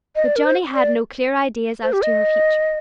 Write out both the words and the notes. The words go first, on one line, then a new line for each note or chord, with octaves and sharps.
But Johnnie had no clear ideas as to her future.
D#5
D5
A#4
C5
D5
C5
G4
D#5